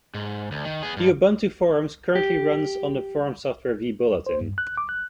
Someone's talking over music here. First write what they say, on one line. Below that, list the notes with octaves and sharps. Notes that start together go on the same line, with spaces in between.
The Ubuntu Forums currently runs on the forum software vBulletin.
G#2
D2
D#3
B3 G#4
G2
G4
C5
G2
F#6
D6
F#6